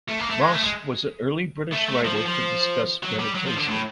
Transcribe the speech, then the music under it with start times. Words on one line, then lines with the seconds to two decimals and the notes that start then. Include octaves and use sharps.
Rost was an early British writer to discuss meditation.
0.08 A3
0.19 A#3
0.30 A3
0.41 G#3
0.52 A3
0.63 G#3
1.72 A3
1.88 A3
2.04 F3
2.16 F3
2.26 F3
3.03 F#3
3.19 G3
3.35 F#3
3.46 F3
3.57 D3
3.68 A2